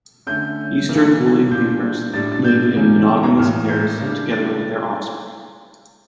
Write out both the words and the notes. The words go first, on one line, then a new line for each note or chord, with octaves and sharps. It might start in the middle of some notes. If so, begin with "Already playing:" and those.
Eastern woolly lemurs live in monogamous pairs together with their offspring.
D3 A3 C#4 G6
C#3 E3 A#3 C#4
A#2 G3 D4 G6
A2 G3 D4 A6
A6
G6
E2 C#3 G3 C#4
A5
A#5
A2 E3 A#3 F6
G6
C#3 G3 D4
A6